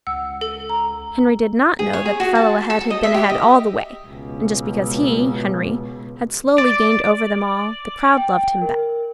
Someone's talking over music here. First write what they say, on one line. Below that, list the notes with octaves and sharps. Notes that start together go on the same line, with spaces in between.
Henry did not know that the fellow ahead had been ahead all the way, and just because he--Henry--had slowly gained over them all, the crowd loved him best.
C#2 F#5 E6
A4
A#5
G#4
C#5
G#4
F#4
A5
A4
D#5
E5
G4
D#5
C#2 B2
D5
G5
A#4